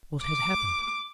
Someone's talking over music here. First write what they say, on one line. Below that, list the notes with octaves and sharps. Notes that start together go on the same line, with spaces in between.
What had happened?
D6